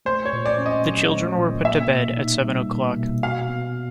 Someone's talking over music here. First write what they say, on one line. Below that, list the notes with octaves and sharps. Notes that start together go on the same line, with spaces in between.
The children were put to bed at seven o’clock.
A3 C5
C#5
A#2
D5
C#4
D#5
F#3
A3
A#2
A#3 E5
B2
D#4
G3
A#3
B2
F#4 F5
B3